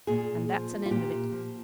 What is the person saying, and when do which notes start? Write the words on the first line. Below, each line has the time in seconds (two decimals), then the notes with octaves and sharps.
And that's an end of it.
0.07 A#2 G#4
0.49 F3
0.86 F4
0.91 A#2 G4
1.32 F3